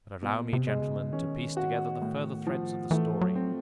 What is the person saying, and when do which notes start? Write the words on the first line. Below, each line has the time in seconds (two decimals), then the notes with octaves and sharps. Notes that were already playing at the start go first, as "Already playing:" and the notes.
But allow me, gentlemen, to piece together the further threads of the story.
0.23 B2
0.53 C3
0.67 G#3
0.82 C#3
1.12 D#3 C#4
1.19 E3
1.26 D#3
1.57 F#4
2.02 A2
2.47 F3
2.91 E3 A3
3.15 F3
3.21 F#3
3.35 C4